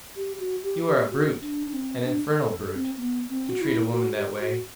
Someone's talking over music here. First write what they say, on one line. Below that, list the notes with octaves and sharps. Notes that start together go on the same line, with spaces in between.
"You are a brute, an infernal brute, to treat a woman that way."
G4
F#4
G4
G4
F#4
D4
D4
C4
D4
A4
A4
C4
B3
C4
F#4
E4
F#4
G4
F#4